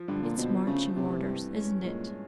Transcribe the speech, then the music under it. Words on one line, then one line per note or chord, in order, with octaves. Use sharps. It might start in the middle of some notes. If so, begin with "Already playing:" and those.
"It's marching orders, isn't it?"
Already playing: F3
G2 D3
A#2
B2 C4
C#3 A3
C3 E3
G2
C#4
A#2 G#3